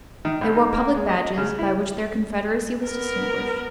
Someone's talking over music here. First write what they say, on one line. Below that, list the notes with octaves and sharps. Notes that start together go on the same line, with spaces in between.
They wore public badges, by which their confederacy was distinguished.
D#3
C2
D#4
A#3
G#3
D#5
C#3
E4
B3 A#4